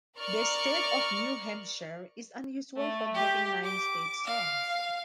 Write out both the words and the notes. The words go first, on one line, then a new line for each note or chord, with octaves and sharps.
The state of New Hampshire is unusual for having nine state songs.
A#4 D5 C#6 F6 C#7
A3
G4
D6
F5